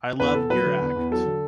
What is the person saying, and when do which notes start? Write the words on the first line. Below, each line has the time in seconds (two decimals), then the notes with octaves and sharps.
I loved your act.
0.20 E2 B4
0.35 E2 A4
0.50 F#3 B4
0.65 D3
0.80 E2
0.96 E2
1.11 F#3 A4
1.26 D3